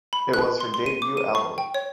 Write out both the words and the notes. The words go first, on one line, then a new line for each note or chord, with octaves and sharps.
It was her debut album.
B5
F#6
C6
C6
D#7
D6
D#7
C#6
G5
C#5